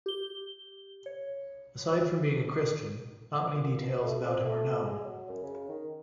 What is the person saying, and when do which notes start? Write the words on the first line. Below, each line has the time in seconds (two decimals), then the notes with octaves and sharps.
Aside from being a Christian, not many details about him are known.
0.06 G4 G7
1.06 C#5
3.52 A#2
3.82 B2
4.04 A3
4.23 C4
4.44 A3
4.83 G#3
5.04 F#3
5.29 F#2
5.43 C#3
5.69 D#3